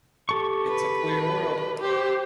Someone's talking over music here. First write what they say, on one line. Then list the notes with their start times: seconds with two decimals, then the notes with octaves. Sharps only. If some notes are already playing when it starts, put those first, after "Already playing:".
It’s a queer world.
0.29 G4 A4 C#6
0.70 B4
1.79 G4 C5